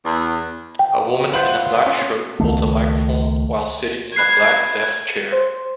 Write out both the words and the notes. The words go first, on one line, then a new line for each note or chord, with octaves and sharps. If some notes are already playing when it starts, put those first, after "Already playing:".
A woman in a black shirt holds a microphone while sitting in a black desk chair.
E2
G5
F4 B4 C5 E5 F#5 F#7
C#4
C#2 D#3 A3
B5 F#6 G#6 C7
C5